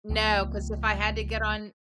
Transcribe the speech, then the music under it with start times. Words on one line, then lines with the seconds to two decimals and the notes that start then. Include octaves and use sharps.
No, 'cause if I had to get on
0.09 C#2 F3 A3 B3